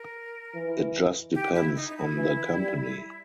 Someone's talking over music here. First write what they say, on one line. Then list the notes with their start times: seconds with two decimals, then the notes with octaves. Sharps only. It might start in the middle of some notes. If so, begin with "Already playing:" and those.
It just depends on the company.
Already playing: A#4
0.54 E3
1.34 G4
1.55 E4
1.75 D#4
1.89 D#4
1.97 E4
2.17 E3
2.57 G3